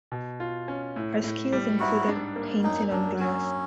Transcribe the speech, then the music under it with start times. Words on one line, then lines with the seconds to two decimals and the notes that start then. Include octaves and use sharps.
Her skills included painting on glass.
0.12 B2
0.40 F4
0.68 C#4
0.96 A2
1.24 A2
1.52 G3
1.80 G#2 E4 F#4
2.08 D4
2.36 A#3
2.64 F#2 D#4
2.92 F#2 D4
3.20 F#3 C#4